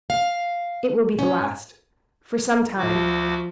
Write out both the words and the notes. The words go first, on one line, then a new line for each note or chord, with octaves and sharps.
"It will be the last--for some time."
F5
C#4
D2 F3 F#4 D6